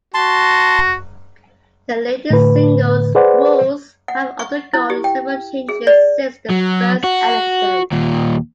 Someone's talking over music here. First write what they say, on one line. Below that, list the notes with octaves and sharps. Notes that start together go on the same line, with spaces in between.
The Ladies' Singles' rules have undergone several changes since the first edition.
F#4 A5 C6
A2 D3 B4
G#4 B4 C5 D5 F#5
F#5
C#6
E4
G4
G5
G#4
D5
F#3
F#4
D#2 A#2